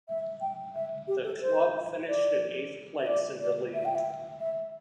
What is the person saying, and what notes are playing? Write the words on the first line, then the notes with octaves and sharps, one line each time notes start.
The club finished in eighth place in the league.
E5
G5
E5
G4
A4
C5
D5
E5
D5
D5
E5
G5
E5
E5